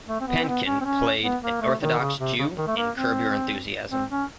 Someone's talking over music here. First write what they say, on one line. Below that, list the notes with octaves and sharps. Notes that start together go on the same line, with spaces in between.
Pankin played an Orthodox Jew in "Curb Your Enthusiasm".
A3
C4
B3
C4
B3
C#4
C4
C#4
B3
A#3
A3
D#3
C#3
C3
C#3
D#3
A3
A#3
C4
C4
C#4